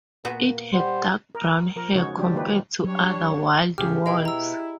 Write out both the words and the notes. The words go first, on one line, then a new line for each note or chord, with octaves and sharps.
It had dark brown hair compared to other wild wolves.
A#2 A#3 B3 F#4
G3 C5 F#5
A#4
F3 A#4
C#3 G#3 D#4 F#4 C#5
F3 F#3 D4 G4
D#3 A#3 D#4 G4 B4
F#3 G3 D4 C#5
G#2 C#3 F3 G4 G#4 F6
B2 E4 B4 D#5 F5 G5
A#5 E6